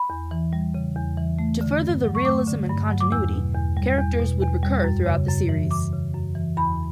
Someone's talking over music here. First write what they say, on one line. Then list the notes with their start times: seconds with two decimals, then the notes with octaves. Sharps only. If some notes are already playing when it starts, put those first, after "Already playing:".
To further the realism and continuity, characters would recur throughout the series.
Already playing: B5
0.10 E2
0.31 E3
0.53 G3
0.74 C#3
0.96 E2
1.17 E3
1.39 A3
1.61 D3
1.82 G2
2.04 F#3
2.15 C#6
2.25 A3 D6
2.47 D3
2.69 G2
2.90 F#3
3.00 D6
3.12 E2 E6
3.34 B2
3.55 E2
3.77 G3
3.98 E2
4.20 B2
4.42 E2
4.63 G3
4.84 F#2
5.06 C#3
5.28 F#2
5.49 E3
5.71 F#2 D6
5.93 C#3
6.14 F#2
6.35 E3
6.57 E2 B5